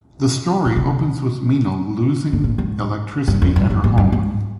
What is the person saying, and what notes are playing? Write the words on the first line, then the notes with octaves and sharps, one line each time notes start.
The story opens with Meenal losing electricity at her home.
A#2
C3
G#2
A#2
G#2
G2
F2
G2
G2
G#2
G2
G#2